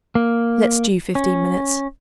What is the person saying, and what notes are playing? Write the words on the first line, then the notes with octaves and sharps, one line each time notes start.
Let stew fifteen minutes.
A#3
C#4